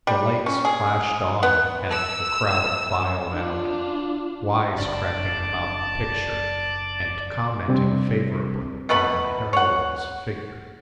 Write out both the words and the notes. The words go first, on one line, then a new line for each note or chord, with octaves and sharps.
The lights flashed on and the crowd filed out, "wise-cracking" about the picture and commenting favorably on the heroine's figure.
G3
C#4
G#4
B3
E6
D4 F4
F#1 D4 D5 A5
C3 G3 C4 D4
B2 A3 B3 B5
C#5 F#5